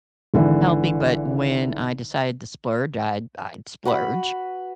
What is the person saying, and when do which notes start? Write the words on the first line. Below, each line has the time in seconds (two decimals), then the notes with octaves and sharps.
healthy, but when I decided to splurge, I'd I'd splurge
0.34 G#1 D3 E3
3.85 F#4 B4 B5